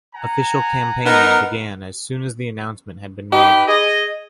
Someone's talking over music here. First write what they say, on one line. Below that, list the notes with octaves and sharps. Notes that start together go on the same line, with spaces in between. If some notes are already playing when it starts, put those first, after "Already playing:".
Official campaigning began as soon as the announcement had been made.
F#5 G#5 A#5
B3 D#4 A#4
D#4 G4 B4 B5
G#4 D#5